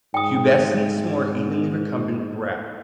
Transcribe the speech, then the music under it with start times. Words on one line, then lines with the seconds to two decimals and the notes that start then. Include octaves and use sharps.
Pubescence more evenly recumbent throughout.
0.14 G#2 G5 D#6